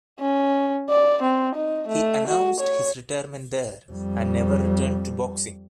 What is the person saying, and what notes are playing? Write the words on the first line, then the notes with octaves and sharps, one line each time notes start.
He announced his retirement there, and never returned to boxing.
C#4
D5
C4
D#4
A3
F#4
C#5
F2 G3